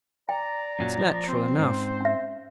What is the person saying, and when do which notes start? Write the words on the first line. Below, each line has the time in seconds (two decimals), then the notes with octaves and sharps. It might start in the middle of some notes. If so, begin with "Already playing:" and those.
It's natural enough.
0.29 D5 G5 A#5
0.79 F#2 A#2 F#3
0.99 F3
1.28 C4 C5
1.59 G#2 C#4
2.01 C#4 E5